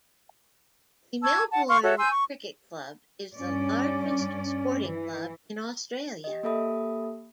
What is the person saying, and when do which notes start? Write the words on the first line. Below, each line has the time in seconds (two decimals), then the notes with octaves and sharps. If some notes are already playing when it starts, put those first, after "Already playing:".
The Melbourne Cricket Club is the largest sporting club in Australia.
1.23 A5 C#6 E6 G#6
1.51 F#5 A5
1.69 F5 C6 C#6 F6
1.83 F#4 A4 C#5 E5
1.98 G#5 C6 E6 G6
2.11 C#6
3.35 G2 C#4 D5
4.83 E3
6.24 G4 D#5
6.43 A#3 G4 A4 E5 B5 D#6